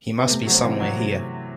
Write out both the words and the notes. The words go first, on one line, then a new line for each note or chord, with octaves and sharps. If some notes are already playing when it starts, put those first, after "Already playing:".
He must be somewhere here.
B3
C3 A3
F#3 A3 C4
C3 E3
F#3 C4
C3